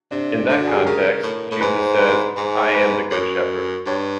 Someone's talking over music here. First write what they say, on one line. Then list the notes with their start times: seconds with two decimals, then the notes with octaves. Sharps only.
In that context, Jesus says, I am the good shepherd.
0.11 C3 D4
0.49 D3 D4
0.58 F#4
0.67 G#4
0.76 G4
0.86 C#3 A#4
1.23 A2
1.51 A2
1.61 G#2 B4
1.80 C5
1.99 B4
2.37 G#2
2.74 B4
3.11 F#2 C#5
3.86 G2 C#5